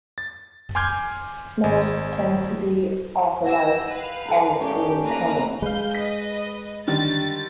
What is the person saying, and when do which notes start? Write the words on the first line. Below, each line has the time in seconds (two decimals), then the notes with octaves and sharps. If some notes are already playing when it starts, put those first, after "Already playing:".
Most tend to be of a light olive-green color.
0.18 A6
0.75 G#5 C6 D6 F6 G6 G#6
1.64 G#1
3.45 G4 F#5 G#5 E6 A#6
3.90 B4 F5
4.26 A4 A#5
4.60 G#3 C#4 G4 D5
5.03 A#3 B4 A#5
5.62 G#3 B4 F5 G6
5.95 B4 D#5 B6
6.87 D3 D#3 G3 A6